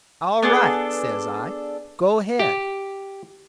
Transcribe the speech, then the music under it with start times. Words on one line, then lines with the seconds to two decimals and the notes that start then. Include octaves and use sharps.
"All right," says I, "go ahead."
0.42 B3 D4 G#4 A4
2.39 G4